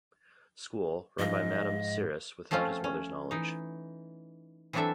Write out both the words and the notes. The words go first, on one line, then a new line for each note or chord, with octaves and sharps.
School, run by Madame Siris without his mother's knowledge.
G#2 F3 D#5 F5
F3 A3 C4 C#4 F4
C#4
E3 D#4
E3 F#3 C4 D4 A4 E5